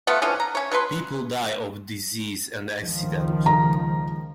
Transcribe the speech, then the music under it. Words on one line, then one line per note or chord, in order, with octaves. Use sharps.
People die of disease and accident.
A3 B3 F4 F#5
D3 E3 F3 C#4
A#5
C#4 C#5
B2 F#3 B4 C6
C#2 D#3 F3
A#5